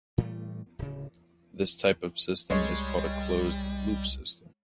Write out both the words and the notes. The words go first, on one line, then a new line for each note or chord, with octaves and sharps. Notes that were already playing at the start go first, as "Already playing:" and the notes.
This type of system is called a closed-loop system.
A2 E3 G3 A3
D1 C#3
C2 G3 G#3 C#5